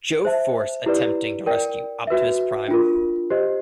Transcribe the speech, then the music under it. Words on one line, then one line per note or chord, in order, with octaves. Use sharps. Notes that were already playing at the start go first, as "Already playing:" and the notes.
Joe force attempting to rescue Optimus Prime.
C5 E5 A5
E4 G4 B4 D5
A#4 D5 G5
F#4 B4 E5
D4 F4 A#4
G4 C5 D#5